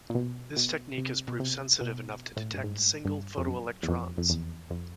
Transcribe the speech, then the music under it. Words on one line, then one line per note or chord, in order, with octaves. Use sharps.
This technique has proved sensitive enough to detect single photoelectrons.
A#2
B2
B2
C3
B2
C3
B2
A2
G2
G#2
G2
F2
F#2
E2
F2
F2
E2
F2